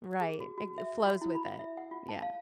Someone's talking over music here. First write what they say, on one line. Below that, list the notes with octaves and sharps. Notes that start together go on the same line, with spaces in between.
Right. Like, flows with it, yeah.
G#4
F#4
F#4
E5
F#4
E4
B5
E5
F#5
F4
A5
F5